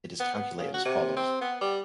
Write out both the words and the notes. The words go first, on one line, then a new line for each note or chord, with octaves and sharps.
It is calculated as follows.
B3
B3
C#3
F#4
C3
C4
B3
G3